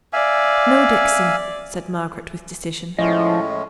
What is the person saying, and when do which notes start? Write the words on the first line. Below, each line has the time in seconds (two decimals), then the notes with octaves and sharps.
'No, Dixon!' said Margaret with decision.
0.13 D5 E5 F5 G#5
2.99 A2 F3 G#3 C#4 E4 D#5